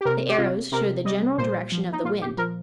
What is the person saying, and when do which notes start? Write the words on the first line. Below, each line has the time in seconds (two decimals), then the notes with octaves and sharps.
The arrows show the general direction of the wind.
0.01 G4
0.05 C3 A#4
0.29 G4
0.38 C3 F4
0.72 C3 A#4
1.05 G3 D#5
1.38 A#2 C5
1.72 F3
1.93 D#4
2.04 A#2 F4
2.22 G4
2.38 F3 A#4